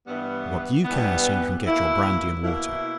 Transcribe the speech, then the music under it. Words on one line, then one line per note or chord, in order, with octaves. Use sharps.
But what do you care so you can get your brandy-and-water?
G2 E3 G3 B3
G2 E3 G3 B3
B2 A#3 E4
B2 A#3 E4